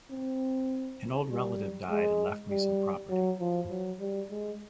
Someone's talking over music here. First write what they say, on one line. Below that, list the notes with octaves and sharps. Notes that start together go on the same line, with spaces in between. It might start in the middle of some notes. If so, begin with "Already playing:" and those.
An old relative died and left me some property.
C4
G3
G#3
G3
F#3
F3
F#3
G3
G#3